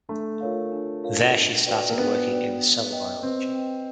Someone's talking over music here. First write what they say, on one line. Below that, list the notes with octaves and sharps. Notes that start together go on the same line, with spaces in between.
There she started working in cell biology.
A3 D4
F4 A#4 C#5 F5
D4
F4 A#4 C#5 F5
D4
F#4 B4 D5 G5
A#3
B3 D4
F#4 B4 D5 G5
B4
D#5 G5
C4 B4
D#5 G5